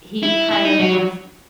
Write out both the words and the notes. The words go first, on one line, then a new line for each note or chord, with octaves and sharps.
he kind of was
E4
E4
D#4
F#3